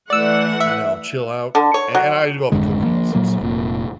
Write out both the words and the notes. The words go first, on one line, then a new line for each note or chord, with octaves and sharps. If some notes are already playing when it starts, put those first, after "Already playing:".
you know, chill out an and I do all the cooking also, so
E3 A3 D5 F#5 E6
E5
D3
C#5
F#3
G#1 F2 D3 G#3
F3 A#3
A#2 F#3 A#3
F1 A#2